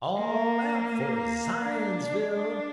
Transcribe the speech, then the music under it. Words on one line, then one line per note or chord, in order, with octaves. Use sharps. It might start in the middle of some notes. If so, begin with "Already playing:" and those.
All out for Zionsville!
A#3
D4
D4